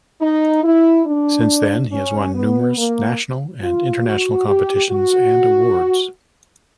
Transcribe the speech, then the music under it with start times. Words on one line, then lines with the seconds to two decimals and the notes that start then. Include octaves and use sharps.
Since then he has won numerous national and international competitions and awards.
0.21 D#4
0.64 E4
1.06 D4
1.92 C#4
2.34 B3
2.78 A#3
3.63 F4
4.05 F#4
4.48 G4
4.91 F#4